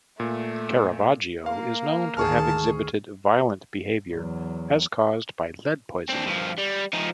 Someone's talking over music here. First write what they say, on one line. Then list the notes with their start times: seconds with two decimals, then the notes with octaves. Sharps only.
Caravaggio is known to have exhibited violent behavior, as caused by lead poisoning.
0.20 A#2 A3
1.46 A#3 F5
2.17 D2 D#3 G#4 A5 C#6 F6
4.12 E2 F#3
6.10 C4 D4
6.27 G2 F3
6.58 G3
6.93 F3 D#4